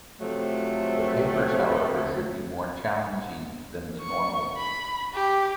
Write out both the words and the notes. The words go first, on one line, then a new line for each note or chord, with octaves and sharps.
The papers, however, should be more challenging than the normal papers.
C3 F3 F#3 A3
C#6
B5
G4